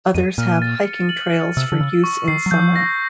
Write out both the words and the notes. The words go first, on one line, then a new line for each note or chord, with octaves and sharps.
Others have hiking trails for use in summer.
F2 D#7
A#2 F6
A6
C#7
F#7
F#7
C3 E6
D3
C#3 E6
C#6
D#3 C7
F#3
F3 G6
A#6